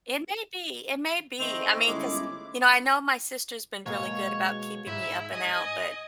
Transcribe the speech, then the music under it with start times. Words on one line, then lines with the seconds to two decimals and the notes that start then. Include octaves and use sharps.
It may be, it may be, I mean, 'cause you know, I know my sister's been really good about keeping me up and out, but,
1.39 D#3 A3 C4 D#5
1.87 G1 G#3 C#4 E4 D6
3.86 B2 G#3 A#3 C#5
4.87 G#2 E4 E5
5.33 D#5 G#5